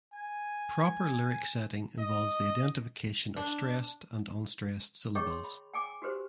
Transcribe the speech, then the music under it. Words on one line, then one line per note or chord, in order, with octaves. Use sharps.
Proper lyric setting involves the identification of stressed and unstressed syllables.
G#5
D#5
D4
G#4 C#5 D#5 G5 C#6
C6
B5
G5 G#5 D6
F#4 G4 B4 C5